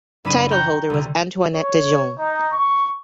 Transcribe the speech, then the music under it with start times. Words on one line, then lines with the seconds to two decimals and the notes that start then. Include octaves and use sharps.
Title holder was Antoinette de Jong.
0.25 F#1 D4 B5 D#7 E7
0.50 G5 A#5 C#6 F#6 G6
0.90 C2 D3
1.55 C#5
2.18 D#4
2.53 C#6